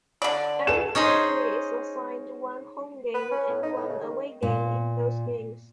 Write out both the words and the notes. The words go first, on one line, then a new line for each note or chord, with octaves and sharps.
Every country is assigned one home game and one away game in those games.
D3 D5
G#4 A4 B4 E7
C#4 D#4 G#4 C5
B4
C#4
A2
D#4
A2
C#3
D#3
A#2